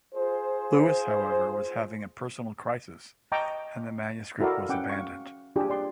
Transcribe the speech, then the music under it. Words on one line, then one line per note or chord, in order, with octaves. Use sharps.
Lewis, however, was having a personal crisis and the manuscript was abandoned.
F4 G#4 C5
D#5 G5 A5 A#5 C#6 D6
E4 F#4 A4 A#4 D5 F5
C#4 F#5 G5 D6
F5 C#6
D4 F4 G4 G#4
D5 C6